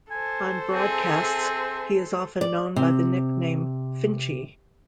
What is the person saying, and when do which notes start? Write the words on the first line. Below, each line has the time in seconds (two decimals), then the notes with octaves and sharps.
On broadcasts he is often known by the nickname "Finchy".
0.11 A4 C5 G#5
0.72 C4 G#4 E5
2.41 D5
2.76 C3